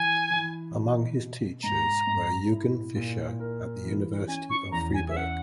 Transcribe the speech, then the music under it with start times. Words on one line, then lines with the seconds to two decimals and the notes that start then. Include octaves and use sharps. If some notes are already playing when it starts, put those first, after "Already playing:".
Among his teachers were Eugen Fischer at the University of Freiburg.
Already playing: E3 G#5
0.30 E3
0.75 B2
1.19 B2
1.63 G#2 A#5
2.07 G#2
2.52 E4
2.96 A#2
3.40 A#4
3.84 E3
4.28 C#4 G#5
4.50 C#6
4.72 E2 A#5
4.94 G#5
5.09 E5
5.17 C#4 F#5